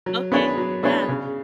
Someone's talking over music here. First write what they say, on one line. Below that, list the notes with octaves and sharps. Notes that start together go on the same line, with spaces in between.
Okay, yeah.
F#3
B3 D4 G#4 C#5
F#3
B3 D4 G#4 C#5
C#3